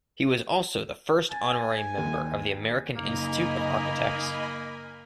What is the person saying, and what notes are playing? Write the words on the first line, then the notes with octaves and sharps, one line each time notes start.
He was also the first honorary member of the American Institute of Architects.
G#5 A6
D#2
F#1 A#3 D#4 D#5 G#5 B5